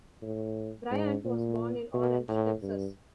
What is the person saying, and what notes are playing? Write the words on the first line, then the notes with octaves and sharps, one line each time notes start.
Bryant was born in Orange, Texas.
A2
G#2
A#2
B2
A2
G2